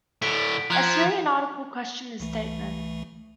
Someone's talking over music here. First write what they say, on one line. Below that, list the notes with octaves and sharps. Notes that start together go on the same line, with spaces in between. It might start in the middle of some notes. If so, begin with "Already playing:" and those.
A Syrian article questioned his statement.
A2 D3 B6 D7
F3 A#5 F#6 G#6
C2 E3 A3